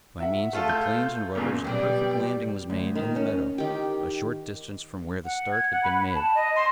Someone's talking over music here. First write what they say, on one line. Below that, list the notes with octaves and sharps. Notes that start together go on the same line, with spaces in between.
By means of the planes and rudders a perfect landing was made in the meadow, a short distance from where the start had been made.
E5 F#5
A3 F4 A4
G6
G1 A#2 C#3
B2 F#3 G3 D5 G5
D2
D#3
C#4
D#3 G4
F#5
G#6
F#5
B5
B5
A5
D#5
C6